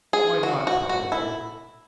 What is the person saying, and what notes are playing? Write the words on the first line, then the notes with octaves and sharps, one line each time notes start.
"Why not probable?"
G#4
F#4
F#4
F#4
E4